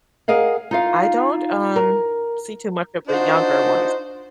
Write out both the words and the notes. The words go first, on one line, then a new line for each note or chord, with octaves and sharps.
I don't, um, see too much of the younger ones.
G#4 A#4 D#5 F5 F#5
D#4 F4 F5
A#4
D4 D#4 F4 F#4 C5